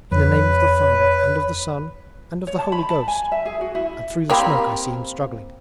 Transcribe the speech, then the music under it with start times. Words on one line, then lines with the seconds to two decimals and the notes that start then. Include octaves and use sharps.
"In the name of the Father and of the Son and of the Holy Ghost"... and through the smoke I see him struggling.
0.11 F2 B4 C#5
2.47 C#5
2.58 A5
2.72 B5
2.90 A5
3.08 G#5
3.32 E5
3.45 G#4
3.61 F#4
3.75 E4
4.30 A#3 C4 G4 B5